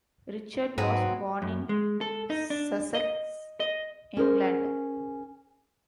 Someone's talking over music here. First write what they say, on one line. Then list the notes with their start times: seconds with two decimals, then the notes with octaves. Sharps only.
Richard was born in Sussex, England.
0.78 G#2 F#3 B3 C4
1.42 F#2
1.69 G#3
2.01 A4
2.30 D#4
2.50 D4
2.94 D#5
3.60 D#5
4.17 C#4 G#4 A#4 C5